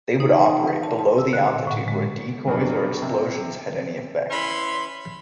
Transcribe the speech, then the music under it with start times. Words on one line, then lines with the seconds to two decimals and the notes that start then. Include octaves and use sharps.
They would operate below the altitude where decoys or explosions had any effect.
0.20 D#4
0.32 E3
0.50 D#4
0.68 B4
0.83 A5
0.99 A5
1.18 E6
1.33 D3
1.48 A#2
1.67 A2
1.88 G#3
2.47 G2 B2 F#3 D4
3.02 C3
4.30 E3 C#4 B5 C6